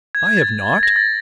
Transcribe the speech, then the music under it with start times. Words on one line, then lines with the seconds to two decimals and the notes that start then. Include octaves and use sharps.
"I have not."
0.15 G#6
0.27 G#6
0.37 A6
0.83 A#6
0.96 A6